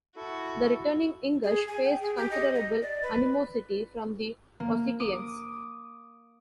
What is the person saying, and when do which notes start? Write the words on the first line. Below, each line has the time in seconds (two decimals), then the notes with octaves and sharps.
The returning Ingush faced considerable animosity from the Ossetians.
0.16 E4 F#4 A4
1.44 G#4
1.68 G#5
1.84 G5
2.01 G#4
2.17 G4
2.31 D#5
2.55 D#5
2.82 D5
3.03 B4
4.60 A#3
5.00 D6 D#6 D#7